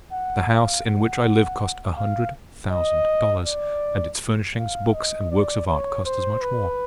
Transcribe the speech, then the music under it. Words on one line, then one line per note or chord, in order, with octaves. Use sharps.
The house in which I live cost a hundred thousand dollars, and its furnishings, books, and works of art cost as much more.
F#5
F5
F#5
F5
D#5
D5
F5
D#5
D5
C#5
C5
B4